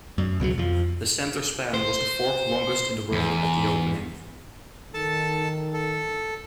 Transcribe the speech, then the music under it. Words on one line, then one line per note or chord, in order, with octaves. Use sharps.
The center span was the fourth longest in the world at the opening.
F#2
C#2 B2 F3 F#3
F2 F3
C5
E2
D#3 A4 A5
A4